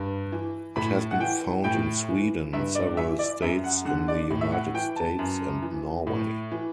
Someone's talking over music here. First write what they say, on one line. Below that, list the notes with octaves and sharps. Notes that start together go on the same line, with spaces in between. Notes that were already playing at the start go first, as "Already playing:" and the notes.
It has been found in Sweden, several states in the United States and Norway.
Already playing: G2
E3
A2 B5
F#5
E3 G5
A2 G5
E3
G2 E5
D5
E3 E5
D5
F#2 E5
F#5
D3 F#5
D5
A2
E5
F#5
E3 G5
A5
F#2
E3
A2
E3